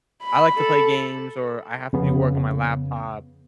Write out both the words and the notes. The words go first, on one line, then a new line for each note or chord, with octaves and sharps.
I like to play games or I have to do work on my laptop
B5
A4
F2 C#3 B3